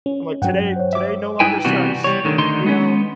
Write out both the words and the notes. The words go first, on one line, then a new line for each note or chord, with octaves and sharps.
I'm like, "Today today no longer sucks," you know?
C#4
G2 F#3 F#5 G5
C5 C#5
E5 D6
G2 D#4 E4 B4 G5 G#5
C3 E3 G3 B3 F#4
G3 C#5
D2 D3 D#3
D2 D3 D#3 D#4 C6
G#3 B3 C#4